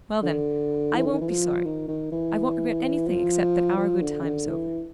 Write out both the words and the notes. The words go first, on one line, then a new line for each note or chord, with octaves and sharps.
"Well, then--I WON'T be sorry; I won't regret anything except that our good time is over!"
D3
E3
D3
D#3
E3
F3
D#3
D#3
E3
F3
F3
D3
C#3
D3
E3